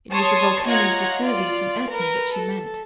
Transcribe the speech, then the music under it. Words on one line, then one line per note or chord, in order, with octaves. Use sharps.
It was the volcanoes Vesuvius and Etna that she meant.
C#5 A5 C6 C#6 D#6
F4 C#5 D#5 F#5 A#5 G#6
F4 D5
A#4 B4
A4